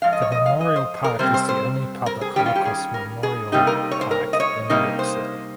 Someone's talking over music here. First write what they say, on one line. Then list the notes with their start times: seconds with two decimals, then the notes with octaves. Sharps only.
The Memorial Park is the only public Holocaust memorial park in New York City.
0.02 G#2 F3 F5
0.13 D#5
0.22 C#5
0.32 D#5
0.46 F5
0.61 D#5
0.76 C5
1.04 A#4
1.19 C3 G3 C4 C5
1.34 C5
1.49 C5
2.06 A#4
2.21 G#4
2.36 D#3 G3 C#4 G4
2.46 F4
2.55 G4
2.65 G#4
2.94 A#4
3.23 G#4
3.52 C3 G3 A#3 D#4 G4
3.67 A#4
3.91 C#5
4.01 C5
4.11 A#4
4.33 D#5
4.40 C#5
4.70 C3 G3 A#3 D#4
4.99 C5